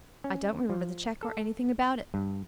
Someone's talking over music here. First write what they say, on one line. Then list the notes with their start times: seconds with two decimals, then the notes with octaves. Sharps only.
I don't remember the cheque or anything about it.
0.24 C#4
0.70 F3
1.23 A4
2.14 G2